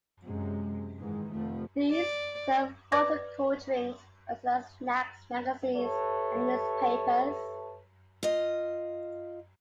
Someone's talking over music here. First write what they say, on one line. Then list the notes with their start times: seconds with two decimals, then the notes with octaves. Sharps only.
These serve hot and cold drinks as well as snacks, magazines and newspapers.
0.24 F#2 C3 G#3
0.99 G#2 D#3 E3 G#3
1.31 F1 F3 A3
1.91 D5
2.92 B4 D5 D6 G#6 A#6
5.76 G4 A4 B4 C#5 E5 A5
8.23 F4 D#5